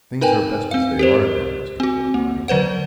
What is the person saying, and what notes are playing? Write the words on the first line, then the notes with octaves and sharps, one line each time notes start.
"Things are best as they are, then, Mr. Clawbonny."
D#4 A#4 B4 G5 G#5
C4 F5
G4 A#4 C5
C4 F#4
A#3
D3 F#3 B4 C5 F#5